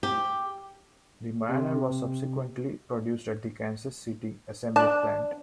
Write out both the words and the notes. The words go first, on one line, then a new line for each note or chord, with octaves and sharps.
The Mariner was subsequently produced at the Kansas City Assembly plant.
G4
C3
D4 A5